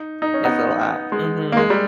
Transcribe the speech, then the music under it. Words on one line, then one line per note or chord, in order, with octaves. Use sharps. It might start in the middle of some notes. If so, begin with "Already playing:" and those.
It's a lot. Mhm.
Already playing: D#4
D#4
C#4
B3 D#4
G#3
A#3
G#3
G3